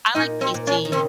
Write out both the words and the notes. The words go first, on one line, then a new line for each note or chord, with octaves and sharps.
I like PC.
A#2 D#4
C4
A#2
C#4
D#3
C#3 C4